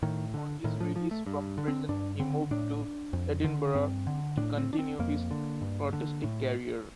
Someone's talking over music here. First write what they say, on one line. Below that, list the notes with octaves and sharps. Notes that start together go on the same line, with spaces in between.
On his release from prison he moved to Edinburgh to continue his artistic career.
A2 D#3
D3
A2 D#3
F3
F3
A3
G2
D3
C4
G2 D4
D3 C4
A2 D4
F2
D3
G2 C4
D3
A2 D4
C4
D4
C4
F2 A#3
D3
G2
D3
A2